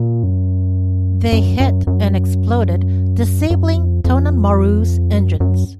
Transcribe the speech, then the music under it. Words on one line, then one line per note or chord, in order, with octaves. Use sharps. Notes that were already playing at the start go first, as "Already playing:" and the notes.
They hit and exploded disabling "Tonan Maru"'s engines.
Already playing: A#2
F#2
F#2
F#2
F#2
F#2
F2
F2
F#2
F#2